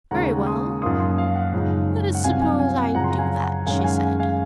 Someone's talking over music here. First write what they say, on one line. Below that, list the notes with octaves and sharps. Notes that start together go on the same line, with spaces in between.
"Very well, let us suppose I do that," she said.
D#2 C#3 G#3 C#4 F#5 A#5
C6 D#6
F#2 F3 A#3 D#4 C6 D#6
C6 D#6
F5
F#5
F#2 C#3 F3 G#3 D#4
F#5
C2 C3 F#3 F5 G#5
F5 G#5
F5 G#5
F#5
F#2 C#3 F3 F#5 A#5
C6
A#5
F5 G#5
F#5
F#2 D#3 G#3 C#4 F5 G#5
F#5
F5 G#5
F5 G#5